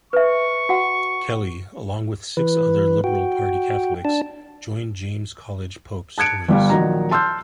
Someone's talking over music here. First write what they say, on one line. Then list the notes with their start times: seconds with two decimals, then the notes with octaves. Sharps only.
Kelly, along with six other Liberal party Catholics, joined James Colledge Pope's Tories.
0.13 B4 E5 C#6
0.69 F#4 F#5
2.37 E3 B4
3.04 F#4 G5
4.05 D4 A5
6.18 A5 F#6 G#6 C#7 D7
6.48 G1 G3 F5
6.70 A#1 D#3 F#3 D#4 A#5
7.11 A5 C6 E6 F6 G6